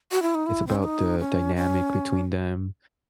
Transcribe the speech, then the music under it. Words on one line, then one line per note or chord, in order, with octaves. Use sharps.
it's about the dynamic between them,
F#4
E4
D#4
E4
C4
C#4
D#4
C#4
C#4